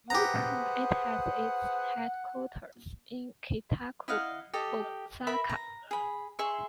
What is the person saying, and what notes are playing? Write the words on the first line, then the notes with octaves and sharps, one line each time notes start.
It has its headquarters in Kita-ku, Osaka.
G4 G#4 B4 C5 F#5 A#5
E4 D#5 F5 F#5
G4 A4 D#5
A#4 E5 B5
A#5
G#4 B5
G#4 E5 C6 C#6